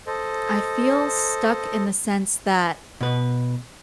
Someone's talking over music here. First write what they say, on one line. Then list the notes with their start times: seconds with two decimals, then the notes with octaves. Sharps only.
I feel stuck in the sense that
0.07 A4 C5 D#5
3.01 B2 B4